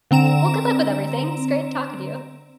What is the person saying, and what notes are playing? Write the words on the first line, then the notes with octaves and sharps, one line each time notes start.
well, good luck with everything. It's great talking to you.
D3 C4 A#5 E7